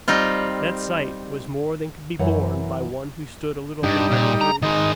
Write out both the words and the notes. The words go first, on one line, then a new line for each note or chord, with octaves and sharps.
That sight was more than could be borne by one who stood a little behind the group.
G3 C4 D#4 F4
F#2 E3 C#5 F#5
G2 G3 D#4
A#2
A#5
D#3 G#3 D#4